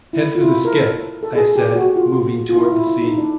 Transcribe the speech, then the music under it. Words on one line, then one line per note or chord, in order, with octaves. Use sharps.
"Head for the skiff!" I said, moving toward the sea.
E4
F4
E4
A#4
A4
A4
G#4
G4
F#4
F4
F4
E4
E4
E4
D#4
D4